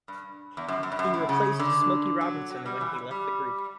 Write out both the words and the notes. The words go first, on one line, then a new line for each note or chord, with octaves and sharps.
He replaced Smokey Robinson when he left the group.
G2
E2
F#2
F#2
G2
F#2
A2
C#3
D3
F#3
F#3
G3
E3
G3